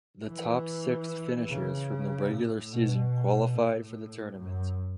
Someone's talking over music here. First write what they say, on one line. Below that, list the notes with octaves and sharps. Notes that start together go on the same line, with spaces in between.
The top six finishers from the regular season qualified for the tournament.
E3
C#3
A2
B2
A2
F#2